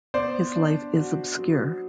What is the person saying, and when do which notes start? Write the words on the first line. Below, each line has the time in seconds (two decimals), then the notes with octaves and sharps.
His life is obscure.
0.14 B3 C5 D5
0.56 D4
0.97 F#4
1.39 F#3